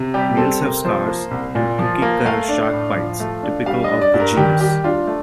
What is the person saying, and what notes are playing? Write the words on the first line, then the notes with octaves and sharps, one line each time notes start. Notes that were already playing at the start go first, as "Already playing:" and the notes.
Males have scars and cookie cutter shark bites typical of the genus.
Already playing: C3
G3 G4
C4 A4
C3 A#4
F3 C5
A#3
C2
A#2
F3
A#3
A3 F5
D4
A2
F3
A3
D4
G3 F5
D#5
D4
D5
G2
A#4
D#3 G4
G3 G4
D4 F4
A3